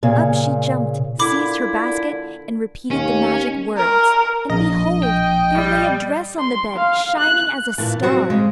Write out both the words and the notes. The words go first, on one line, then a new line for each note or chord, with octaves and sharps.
Up she jumped, seized her basket, and repeated the magic words, and behold! there lay a dress on the bed, shining as a star.
A#2 C#3
A#2 D3 E4 B5 D6
D#2 C#4
A#4
A#1 D#5
G5
G3
C6
F5
F#6
A#2 E3 A5
F#3 G3 C4 F#4 C5
C#3 G#3